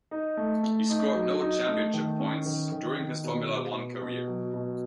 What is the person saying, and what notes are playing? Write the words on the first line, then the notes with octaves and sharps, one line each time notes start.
He scored no championship points during his Formula One career.
D#4
A3
A3
D#4
F#3
D#4
A3
D#3
C#4
D#3
D#3
D#3
B2
B2
B2
B2
F#3
B2